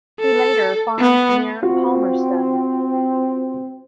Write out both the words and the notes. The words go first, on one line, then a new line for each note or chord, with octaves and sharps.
He later farmed near Palmerston.
A4
B3
C4 F4 F#4